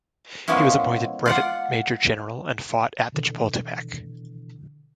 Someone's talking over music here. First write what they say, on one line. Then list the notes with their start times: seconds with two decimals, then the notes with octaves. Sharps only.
He was appointed brevet major general and fought at the Chapultepec.
0.48 F3 G#3 A#3 B3 C#4 E4
1.26 F4 D5 F#5
3.12 B2 D3 E3